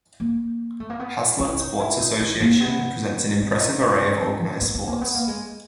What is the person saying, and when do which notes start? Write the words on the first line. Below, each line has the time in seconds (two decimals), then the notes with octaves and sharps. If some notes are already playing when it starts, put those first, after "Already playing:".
Haslet's Sports Association presents an impressive array of organized sports.
0.20 A#3
0.80 A3
0.90 A#3
1.00 B3
1.40 E4
1.59 D#4
1.79 E4
2.00 D#4
2.20 D#4
2.41 A#3
2.60 B3
3.41 C4
3.60 D#4
3.81 D4
4.00 C#4
4.20 C4
4.61 B3
4.75 B3
4.87 A#3
5.01 B3
5.14 A#3
5.28 G#3